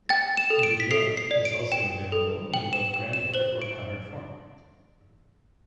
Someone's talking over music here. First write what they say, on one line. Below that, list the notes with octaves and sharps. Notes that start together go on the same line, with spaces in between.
Bouillon is also available in both granular or powdered form.
G5 A6
E7
A4
E7
D7
B6
A4 C7
C7
D5
D7
G5 E7
A4
G5 F#7
E7
G5 E7
E7
C5 F#7
D7